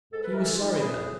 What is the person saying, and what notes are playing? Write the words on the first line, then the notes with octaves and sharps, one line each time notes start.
He was sorry then.
G#2 A4
B4
E3 G#3 A#4
A4
G#2 F4
D#4
E3 G#3 E4
G#4
A2